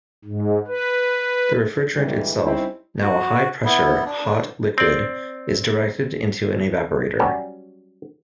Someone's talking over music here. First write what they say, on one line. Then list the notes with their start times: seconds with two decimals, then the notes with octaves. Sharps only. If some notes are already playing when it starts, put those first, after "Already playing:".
The refrigerant itself, now a high pressure, hot liquid, is directed into an evaporator.
0.25 G#2
0.67 B4
1.94 G2 A#2 D3 E3 G3 G#3
2.41 G3 C4 C#4 D#4 E4
3.02 F#4
3.65 B3 E4
4.05 D4
4.78 C4 D5
7.20 F#3 G3 C#4